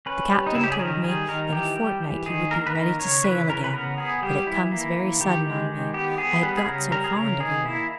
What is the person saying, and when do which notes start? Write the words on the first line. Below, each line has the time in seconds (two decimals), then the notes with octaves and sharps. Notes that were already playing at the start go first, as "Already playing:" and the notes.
"The captain told me in a fortnight he would be ready to sail again; but it comes very sudden on me, I had got so fond of you all."
0.06 C#4 B4
0.31 G3
0.47 D#4
0.55 C#3 E4
0.63 G4
0.72 G#4
0.79 D#3 A#4
1.04 G3 G#4
1.29 D#3 A#4
1.53 E3 G4
1.77 G3
2.02 E3
2.26 D#3 G#4
2.51 A#3 A#4
2.67 B4
2.75 D#3 A#4
2.99 C#3 C#5
3.24 E3 B4
3.49 C#3 A#4
3.64 B4
3.73 B3 A#4
3.98 B3 G#4
4.22 G3 G4
4.47 E3 E4
4.71 A#3
4.96 E3
5.20 D#3 G4
5.45 G#3
5.69 D#3
5.94 B3 G4
6.18 B3 G#4
6.43 G3 B4
6.57 G#4
6.67 C#3 A#4
6.92 G3 A#4
7.04 G#4
7.16 C#3 A#4
7.40 D#3 G#4
7.65 A#3 E4